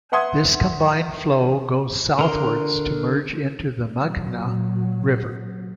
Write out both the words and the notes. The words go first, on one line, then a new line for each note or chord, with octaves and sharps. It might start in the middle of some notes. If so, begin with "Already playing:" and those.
This combined flow goes southwards to merge into the Meghna River.
B4 E5 F#5 C6 D#6 G#6
D3 A#4 C6
A#2 F#3